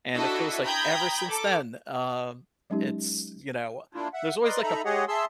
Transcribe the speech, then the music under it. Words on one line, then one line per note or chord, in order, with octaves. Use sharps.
And it feels like ever since then, um, it's, you know there's always like a
D4 E4 F#4 A4 D#5 E5
G5 A#5 B5 D#6 G6 G#6
A4 D6
F#3 G#3 C#4 D#4 G4
A#3 D4 E4 F4
E5 F#5
A#4 B4 D5 D#5 C6
D#4 A4 E5 A#5 B5
G#3 G4 G#4 C#5 D#5 F#5
G#4 E5 A5 C6 E6